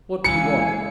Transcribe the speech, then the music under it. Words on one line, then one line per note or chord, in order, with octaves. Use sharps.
What do you want?
C#3 E3 G#3 F5 G#5 E6 C#7